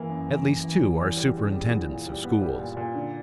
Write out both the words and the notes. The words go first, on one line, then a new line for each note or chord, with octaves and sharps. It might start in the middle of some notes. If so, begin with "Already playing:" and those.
At least two are superintendents of schools.
Already playing: E3 A#3
F#2
E3
F#2
E3
E2
E2
G3
C#3
G3
E2
A#2
G3
B3
G3
A#2
A#2
D3